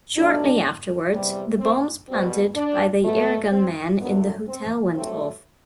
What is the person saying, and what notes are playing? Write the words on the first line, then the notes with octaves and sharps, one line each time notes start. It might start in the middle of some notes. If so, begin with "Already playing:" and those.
Shortly afterward, the bombs planted by the Irgun men in the hotel went off.
B2 F#3 A3 D4
E2 C3 G3
C4
B2 G3 C4
D4
B2 F#3 A3
C4
F#2 D3 F#3 A3 B3
C4
G2 F#3 A3 C4